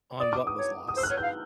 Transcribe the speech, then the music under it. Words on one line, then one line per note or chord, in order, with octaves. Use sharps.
on what was lost,
D5 D#6
D6
D#6
C#5
D#6
C5 E6
F#6
F6
C#5
G6
F5